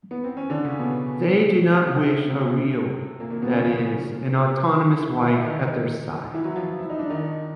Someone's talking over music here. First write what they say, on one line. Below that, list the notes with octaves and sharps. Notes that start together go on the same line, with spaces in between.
They do not wish a real, that is, an autonomous wife at their side.
B3
C4
C#4
D3 D4
C#3 C#4
B2 B3
C3 C4
C3 C4
A#2 A#3
A#2 A#3
B2 B3
C#3 C#4
F3 F4
E3 E4
E3 E4
D#3 D#4
E3 E4
F#3 F#4
F3 F4
E4
D#4
D4
D#3 D#4